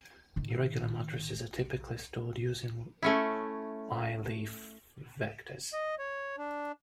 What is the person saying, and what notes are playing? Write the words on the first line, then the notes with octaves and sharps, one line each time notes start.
Irregular matrices are typically stored using Iliffe vectors.
A2 D#3
A3 C#4 E4
D#5
C#5
D4